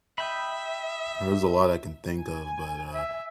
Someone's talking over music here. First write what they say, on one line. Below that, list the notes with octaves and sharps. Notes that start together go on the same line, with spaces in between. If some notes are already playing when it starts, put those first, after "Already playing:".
There's a lot I can think of, but, uh,
D#5 E5 G5 B5
G#5
E5